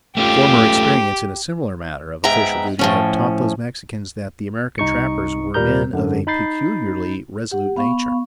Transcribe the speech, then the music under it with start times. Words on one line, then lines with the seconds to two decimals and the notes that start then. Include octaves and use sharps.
Former experience in a similar matter of official duty had taught those Mexicans that the American trappers were men of a peculiarly resolute nature.
0.17 A3 C#4 F4 G4
2.24 G#2 B3 E5 G5 A#5
2.79 A2 F3 C#4
4.78 C2 D#4 C#6 C#7
5.54 D#2 A#2 G3 A#4 A#5 G6
5.93 F#2 D3
6.27 D#4 B5 G6 A6 C7
7.51 G4 F#5
7.76 B3 F5 C#6